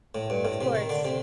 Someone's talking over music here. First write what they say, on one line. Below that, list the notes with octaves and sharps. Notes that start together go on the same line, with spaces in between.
of course.
A2
G2
A2
C3
D#3
D3
C3